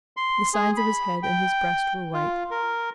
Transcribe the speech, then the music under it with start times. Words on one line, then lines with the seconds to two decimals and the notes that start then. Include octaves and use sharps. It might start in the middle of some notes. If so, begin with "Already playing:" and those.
The sides of his head and his breast were white.
0.17 C6
0.54 G#4
0.77 B5
1.23 G5
2.14 F4
2.51 A#4